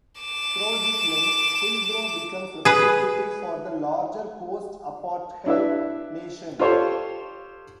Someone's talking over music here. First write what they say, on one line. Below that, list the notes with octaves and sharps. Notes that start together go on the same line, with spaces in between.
Through this lens, Hillbrow becomes representative for the larger post-apartheid nation.
D6 E7
G#4 B4
D4 E4 B4 E5
F4 G4 A4 C5 C#5